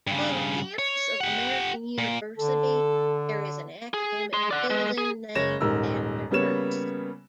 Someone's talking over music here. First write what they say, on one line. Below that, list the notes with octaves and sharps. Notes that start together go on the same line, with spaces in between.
On the campus of American University, there is an academic building named after Hurst.
G2 C#3
C#5
G4 F#5
A#2
D3 A4
G#4
G#4 C6
D5 F#5
G#3
G#4
F#1 C#5 A#6 E7
D#1 G#2 A#4 E6
C#3 G3 A#3 B3 C#5 E7